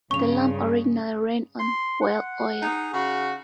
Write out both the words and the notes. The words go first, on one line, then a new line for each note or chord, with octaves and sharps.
The lamp originally ran on whale oil.
G2 C#3 C#6 F7
C6
F#5
D#4 G#4
C#3 F#4